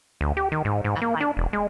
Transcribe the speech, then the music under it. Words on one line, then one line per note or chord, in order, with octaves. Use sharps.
I'm, like
D2
G4
D#3
G#2
G#2
A#3
D4
E1
G#3